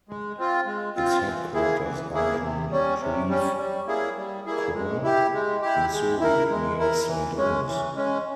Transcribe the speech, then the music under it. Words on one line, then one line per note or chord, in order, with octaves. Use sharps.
Its headquarters are in Creve Coeur, Missouri, near Saint Louis.
G#3
C4 F4
G#3
C4 F4
E3
A#3 E4 G#4
E3
A#3 E4 G#4
C3
G3 C#4
C3
G3 C#4
G3
A#3 E4 G#4
G3
A#3 E4 G#4
G#3
E4 G4
G#3
E4 G4
G#3
E4 A#4
G#3
E4 A#4
E3
G#3 C#4
E3
G#3 C#4